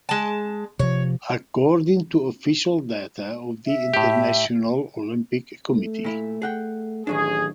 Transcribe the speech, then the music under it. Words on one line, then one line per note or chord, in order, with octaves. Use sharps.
According to official data of the International Olympic Committee.
G#3 A5
C3 F3 C#5
E5
A2 G4
A3
A#2 E4
G#4 F#5 G5
A1 D#3 F#3 D4 G#4